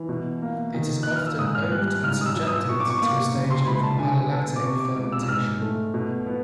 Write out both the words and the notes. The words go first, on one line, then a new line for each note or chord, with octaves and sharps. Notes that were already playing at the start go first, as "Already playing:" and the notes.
It is often oaked and subjected to a stage of malolactic fermentation.
Already playing: E3
B2
A#3
D#3
A#3 F#6
F6
E6
G#2 D#6
F6
G3 F#6
F#6
G#2 F6
D#6
E6
F#3
E6
D#6
B2 C#6
D6
C#6
A#3 D6
C#3
C6
C6
G#3 B5
A5
D3 G#5
B3 A5
D6
C3 C#6
D6
G#3 D6
E6
E6
G#2 F6
A3
B2
B3